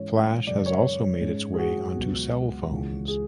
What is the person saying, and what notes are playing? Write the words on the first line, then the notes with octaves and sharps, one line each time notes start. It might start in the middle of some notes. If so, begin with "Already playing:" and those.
Flash has also made its way onto cell phones.
Already playing: G#2 E3 G#3 C#4 C#5
F#2 C#3 G#3 D5
C#5
G#2 G#3 C#4
G#4
F#4
C#2 B2 F#3 B3
C#2 C#3 E3
G#4